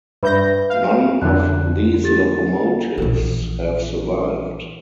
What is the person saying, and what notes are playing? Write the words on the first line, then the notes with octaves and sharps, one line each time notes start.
None of these locomotives have survived.
G2 B4 E5 B5 G6 A#6
F5
F2 D3 F#6
G4 A4 A6
A#1 E3